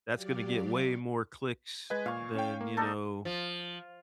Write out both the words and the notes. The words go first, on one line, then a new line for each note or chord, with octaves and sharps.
that's gonna get way more clicks than, you know,
F#3 G4 D5 F5
G#3 B4 D#5 G#5
A#2 F5 C#6
C#4 C#5 G5
A#3
D4 D#4 A4
F3